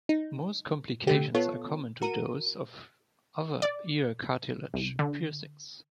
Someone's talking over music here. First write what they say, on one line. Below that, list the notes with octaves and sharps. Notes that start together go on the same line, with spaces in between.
Most complications are common to those of other ear cartilage piercings.
D#4
D3 A3 G4
B3 F4 A4 C#5
F#4 A#4 D#7
D5
C2
D3